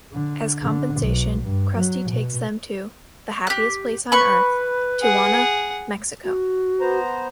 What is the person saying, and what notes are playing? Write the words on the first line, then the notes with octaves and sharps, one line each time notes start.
As compensation, Krusty takes them to "the happiest place on Earth", Tijuana, Mexico.
D3
D3
B1
G2
F#3
B2
G4 F#6
B4 B5 C#6
G#4 F#5
F#4
B3 C5 A#5